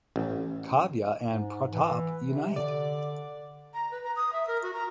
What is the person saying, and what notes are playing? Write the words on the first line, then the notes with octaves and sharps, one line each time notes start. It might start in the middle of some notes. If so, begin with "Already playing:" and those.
Kavya and Pratap unite.
A1
G#2
E3
C3
D3 D5
A#5
B4
A#5
D#6
E5
A#4
F#4
A#5